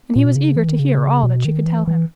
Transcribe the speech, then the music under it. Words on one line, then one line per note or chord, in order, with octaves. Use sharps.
And he was eager to hear all that she could tell him.
A#2
B2
C#3
E3
D#3
C#3
B2
D#3
E3
E3